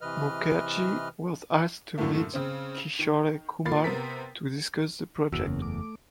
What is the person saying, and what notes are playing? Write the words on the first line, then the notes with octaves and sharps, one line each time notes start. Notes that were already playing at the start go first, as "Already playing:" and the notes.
Mukherjee was asked to meet Kishore Kumar to discuss the project.
C3 E3 B4 D#5 F6
F#2 A2 D3 E3 A3 A#3
C#3 C4
D#3
A#2 A#3 B5 A6 C7
C3 B3 A#4 B6
F#1 E2 F#4 E6
C#3 A#3 C#4
A3 D6